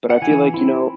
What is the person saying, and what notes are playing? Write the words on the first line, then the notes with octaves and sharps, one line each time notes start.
but I feel, like, you know,
F#5
E3 G#5
C4 E4